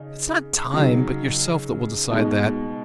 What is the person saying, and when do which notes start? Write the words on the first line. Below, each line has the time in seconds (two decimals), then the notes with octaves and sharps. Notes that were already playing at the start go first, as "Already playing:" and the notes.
It's not time, but yourself that will decide that.
Already playing: C#3 D#4
0.74 C#3 F#3 D#4
2.11 B2 G#3 D#4